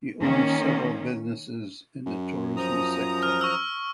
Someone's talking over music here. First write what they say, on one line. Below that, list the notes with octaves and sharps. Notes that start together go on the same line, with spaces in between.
He owns several businesses in the tourism sector.
D#3 A#3 C#4
F#2
F3 A#5 D#6
F6
C#6 E6